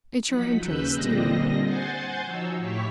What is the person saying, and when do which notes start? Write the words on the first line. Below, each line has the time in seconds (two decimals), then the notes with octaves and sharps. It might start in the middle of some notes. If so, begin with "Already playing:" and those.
"It's your interest, too."
0.24 F3 F#3 D#4 F#5 B6
0.57 D#2 C#3 B4 E6 F#6 G6
0.93 A#2 D3 G3 C4 D#5 A#6
1.62 C5 F#5 G#5 C6 G6 A6
2.24 F3 D#4 F#4 C#5 E6
2.58 A2 E4 G4 C#5 C#6 B6